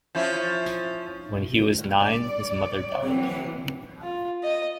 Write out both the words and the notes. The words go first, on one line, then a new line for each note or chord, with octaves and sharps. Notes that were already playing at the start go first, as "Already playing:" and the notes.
When he was nine, his mother died.
F3 C#4 E4
G2 D5
E3 F#3 A#3 C4
F4
D#5